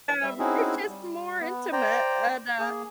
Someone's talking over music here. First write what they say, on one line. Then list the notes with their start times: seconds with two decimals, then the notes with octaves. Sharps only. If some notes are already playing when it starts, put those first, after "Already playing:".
um, it's just more intimate and, uh,
0.23 G3 E5
0.39 C4 C#4 D#4 E4 F#4 G#4
0.89 G3
1.40 B3
1.72 C5 D5 G5 A#5
2.59 A#3 G#4